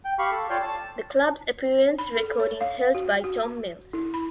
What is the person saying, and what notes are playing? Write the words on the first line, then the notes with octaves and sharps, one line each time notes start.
The club's appearance record is held by Tom Mills.
G5
G4 F5 B5 C#6
A4
F4 C#5 D5 F5 G5
A5
B5
A4
C#5
F5
F#4
F#4
E4
B5